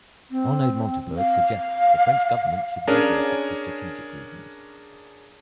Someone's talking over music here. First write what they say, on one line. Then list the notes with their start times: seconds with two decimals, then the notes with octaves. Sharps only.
Arnaud Montebourg suggests the French government should lead the effort for strategic reasons.
0.31 C4
1.18 F5
2.87 C#4 D4 G#4 A#4